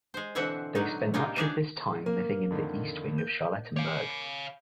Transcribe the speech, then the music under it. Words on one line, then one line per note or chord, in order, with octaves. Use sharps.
They spent much of this time living in the east wing of Charlottenburg.
G#3 C5
B2 D3 E3 C4 E5 F#5
D3 F#3 D#4
G3 G#3 A#3 D#4 F4 A#4
E3 B3 D4 G4 G#4 D5
A#3 A#4
F2 D3 D#3
G6
C#5 F5 D6 G6 D7